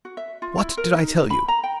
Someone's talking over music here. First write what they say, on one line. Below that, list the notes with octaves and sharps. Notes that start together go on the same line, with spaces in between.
"What did I tell you?"
F#4
E5
F4
E4
A#4
D#4
B5
A#5
G5